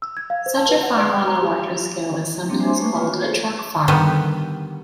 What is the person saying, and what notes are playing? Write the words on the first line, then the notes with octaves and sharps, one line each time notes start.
Such a farm on a larger scale is sometimes called a truck farm.
E6
G#6
F5
C5
A5
B4
F#5
D5
G5
A#5
G4
G3 A#3 C4 D4 G4
C5 E5 G#5 C6 D6
A3 A#3 B4 C#6
F4 B4 C#5
F#4
G#4 A4 C5 C#5
D3 D#3 G3 B3